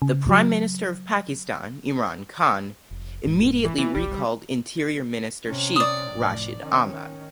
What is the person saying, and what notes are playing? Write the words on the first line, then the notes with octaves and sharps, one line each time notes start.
The Prime Minister of Pakistan Imran Khan immediately recalled Interior Minister Sheikh Rashid Ahmad.
C#3
F#3
F1
E1 G#2 G#3
E3
E3 B3
F1 B1 G3
C3 C#4
D5 D#6
F1 A2
D#3 C#4